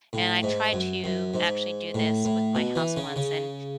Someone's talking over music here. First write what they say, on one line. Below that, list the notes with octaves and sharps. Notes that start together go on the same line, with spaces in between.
and I tried to actually do this with my house once, and
A2
G#2
F#2
F#2
G#2
A2
A2
B2
E3
C#3
C#3